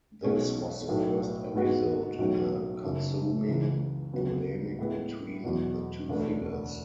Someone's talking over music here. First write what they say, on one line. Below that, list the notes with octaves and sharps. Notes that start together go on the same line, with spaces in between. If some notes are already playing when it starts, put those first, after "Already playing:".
This was the first episode in a consuming polemic between the two figures.
B1 B2 G#3 C#4 G#4
B1 A2 F#3 A3
G#2 G#3 B3 F#4
B1 A2 F#3 C#4
F#1 F#2 C#3
C#2 C#3 E3 G#3
D2 C#3 F#3 B3
A2 G#3 B3 E4
E2 B2 F#3
E1 D2 D3 A3